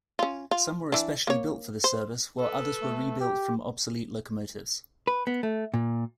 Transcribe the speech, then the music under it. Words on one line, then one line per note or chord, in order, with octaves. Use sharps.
Some were especially built for this service, while others were rebuilt from obsolete locomotives.
C#4 F4
F4
E3 D4
A#3 C#5
C5
A4 B4
A3
G4
B4
B3
A3
A#2